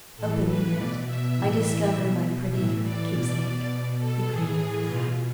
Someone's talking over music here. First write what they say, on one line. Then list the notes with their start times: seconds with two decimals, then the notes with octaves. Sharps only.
Opening it, I discover my pretty keepsake--the green flag!
0.17 A2 A4
0.21 E3
0.46 B4
0.75 B2 D5
1.05 E5
1.35 A2 E3
1.94 B2
2.52 A2 E5
2.56 E3
2.82 D5
3.11 B2 D5
3.70 B2
3.99 A4
4.29 A2 E3 G#4
4.87 B2 F4